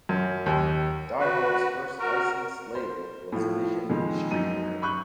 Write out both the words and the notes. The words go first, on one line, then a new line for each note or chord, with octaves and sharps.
Die Hard's first licensed label was Vision Streetwear.
F#2
D#2
F#4 B4
F#4 A#4
C5
A2 F3
F2 D#3 G#3
F#2 D#4 D#7
B5 C#6 F#6 G6